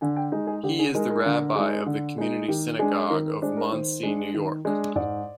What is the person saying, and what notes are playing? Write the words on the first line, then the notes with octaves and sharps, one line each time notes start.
He is the rabbi of the Community Synagogue of Monsey, New York.
D3 G#5
G5
G#3 D#4
G#4
D3 G4
G#4
G#3 D#4 A#4
A#4
D3
G#3 D#4
D3
G#3 D#4
D#3 G4
G#3 D4 G#4
D#3 A#4
A#4
G#3 D4 C5
A#4
D#3 C5
G#3 D4
D#3
G#3 D4
G#2 D5